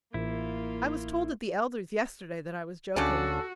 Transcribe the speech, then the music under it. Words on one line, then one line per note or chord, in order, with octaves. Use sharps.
I was told at the elder's yesterday that I was joking.
A1 A#3 E4 F4
D2 C#3 C#4 D4 F#4 A4